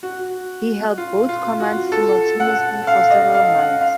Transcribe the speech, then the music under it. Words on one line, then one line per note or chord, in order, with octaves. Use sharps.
He held both commands simultaneously for several months.
F#4
F4
F4
F#4
A4
F#5
F5
D#5
F5
F#5
F5